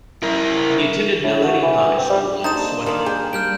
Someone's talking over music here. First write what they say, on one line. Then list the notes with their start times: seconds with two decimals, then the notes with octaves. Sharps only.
He attended Naledi High School in Soweto.
0.23 E4 A#4
1.24 A2
1.44 F#4
1.63 E3
1.98 C4
2.10 G3
2.44 A#3 D4 D#4 A4 C5 A#5 E7
2.86 D#3 F4 D5
3.06 G#4 G5
3.33 G3 F6 G6 D7